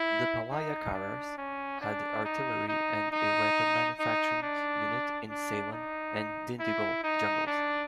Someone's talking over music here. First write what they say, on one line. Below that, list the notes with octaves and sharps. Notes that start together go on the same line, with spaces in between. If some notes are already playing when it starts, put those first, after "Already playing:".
The Palayakarrars had artillery and a weapon manufacturing unit in Salem and Dindigul jungles.
Already playing: E4
D#4
D4
C#4
D4
D#4
D#4
D#4
D#4
D4
D4
D#4
E4
D#4
D4